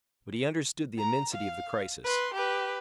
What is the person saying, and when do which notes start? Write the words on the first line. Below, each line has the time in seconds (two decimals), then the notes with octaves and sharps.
But he understood the immensity of the crisis.
0.98 A#5
1.32 F5
2.04 B4 C6
2.33 G4 B4